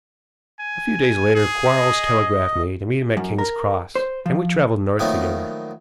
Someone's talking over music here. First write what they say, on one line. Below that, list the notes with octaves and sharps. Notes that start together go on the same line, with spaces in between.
A few days later Quarles telegraphed me to meet him at Kings Cross, and we traveled North together.
G#5
G#4
D#5
F#2
A#4
C5
F3
A#2 D#3 F3 F#3 A3 B3